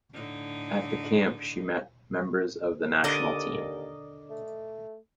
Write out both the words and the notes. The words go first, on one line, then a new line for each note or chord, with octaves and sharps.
At the camp she met members of the national team.
A2 D3 D#4
D#2 D3 A#4 D5 D#5
A3